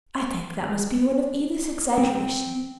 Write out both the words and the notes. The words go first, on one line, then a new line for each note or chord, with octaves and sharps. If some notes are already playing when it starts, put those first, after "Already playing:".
'I think that must be one of Edith's exaggerations.
C4